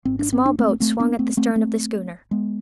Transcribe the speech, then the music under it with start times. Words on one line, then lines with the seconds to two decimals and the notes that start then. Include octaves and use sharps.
A small boat swung at the stern of the schooner.
0.05 G#1 G#2 C4
0.19 D4
0.33 C4
0.46 D4
0.59 A3 C4
0.80 A3 C4
1.00 B3 D4
1.19 A3 C4
1.37 A3 C4
1.56 A3 C4
2.31 G#3 B3